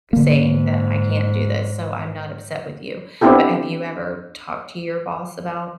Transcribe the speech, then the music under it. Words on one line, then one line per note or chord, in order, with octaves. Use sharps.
saying that I can't do this, so I'm not upset with you." But have you ever talked to your boss about,
G#2 D3 A#3
B3 C4 D4 E4 G4 A4